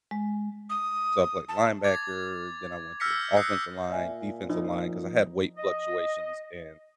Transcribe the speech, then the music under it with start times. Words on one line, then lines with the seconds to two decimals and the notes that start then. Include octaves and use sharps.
so, I played linebacker, then I went to offensive line, defensive line, 'cause I had weight fluctuations, and
0.11 G#3
0.69 D#6
1.49 A5
1.84 D6 G#6 A6
3.00 E6 F6 G6 A#6 B6 C#7
3.36 D#6 F#6 G6 A#6 C7 C#7
3.90 A#2 D5 E5 G#5
4.49 F3 D#4
5.57 D#5